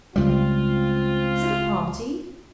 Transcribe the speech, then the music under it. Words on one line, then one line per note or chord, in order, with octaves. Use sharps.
Is it a party?
C#2 G3 C4 F4